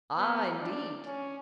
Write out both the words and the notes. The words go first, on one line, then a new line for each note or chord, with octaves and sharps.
"Ah! indeed!"
B3
D4
C#4